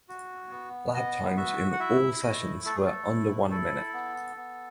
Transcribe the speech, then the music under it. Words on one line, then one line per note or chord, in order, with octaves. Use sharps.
Lap times in all sessions were under one minute.
F#4
B3
B3 D#5
F#4 E5
F#5
E4 E5
A3 D#5
A3 A4
G#4
A4
E4
E4 A4
B3
B3